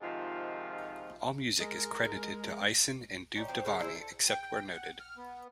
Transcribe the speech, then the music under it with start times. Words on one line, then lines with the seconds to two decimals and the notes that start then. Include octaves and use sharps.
All music is credited to Eisen and Duvdevani except where noted.
0.01 G#2 C3 D#3 F3 F4
1.60 G#3 A#4
3.35 C#4 D#4 G4
3.48 F3 C4 G4
3.65 C#3 A#4
3.79 D4 E4 G#4 C5
3.95 A4
4.28 G5
4.73 F#5
5.00 F6
5.17 B3